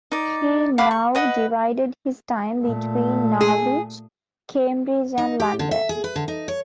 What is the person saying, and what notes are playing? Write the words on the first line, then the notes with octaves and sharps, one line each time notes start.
He now divided his time between Norwich, Cambridge and London.
D#4 D5
F5 F#5 B5 D6
C#6
B4 D#5 F#5
A#2 A3
G#4
D#4
G4
D3
E5
G#4
B4
D3
D#4
C#5